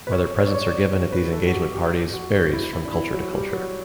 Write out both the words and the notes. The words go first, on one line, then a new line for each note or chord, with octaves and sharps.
Whether presents are given at these engagement parties varies from culture to culture.
B4
C#5
C#5
D5
C#5
D5
C#5
B4
A4
F#4
G4
G4
F#4
E4
E4
D4
E4
F#3
G3
F#3